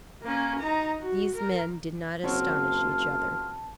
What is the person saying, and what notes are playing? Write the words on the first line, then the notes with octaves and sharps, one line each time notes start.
These men did not astonish each other.
A#3 C#4
D#4 A#5
F#4
A#4
F#1 F#3 C4 F4 C#5 A5